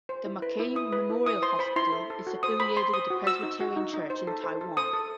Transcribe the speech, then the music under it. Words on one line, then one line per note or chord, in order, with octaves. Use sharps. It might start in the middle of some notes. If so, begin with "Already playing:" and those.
The Mackay Memorial Hospital is affiliated with the Presbyterian Church in Taiwan.
C5
E4
B4
E4
E4 D#6
B4
E4
E4 D#6
C5 C6
C5 B5
E4 C6
A4
A4
F#4
C5 D#6
C5 B5
C5 C6
C5 D#6
F#4
F#4 E6
D#4
F#4
D#4
D#4
C5
A4
C5
A4
C5 D#6
A4